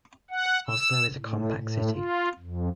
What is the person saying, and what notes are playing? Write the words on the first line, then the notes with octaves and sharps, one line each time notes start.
Oslo is a compact city.
F#5
E6
A2
A2
F4
F2